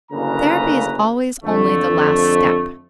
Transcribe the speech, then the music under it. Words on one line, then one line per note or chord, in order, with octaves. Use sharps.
Therapy is always only the last step.
F#1 D2 C#3 A#3 B4 A#5
F2 D3 A3